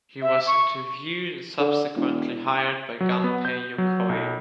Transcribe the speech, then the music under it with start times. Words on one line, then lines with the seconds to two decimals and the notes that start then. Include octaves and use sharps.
He was interviewed and subsequently hired by Gunpei Yokoi.
0.22 E5
0.47 C#6
1.60 D3
1.96 E1
3.00 F#3
3.24 B3
3.45 G6
3.78 F#3
4.09 B1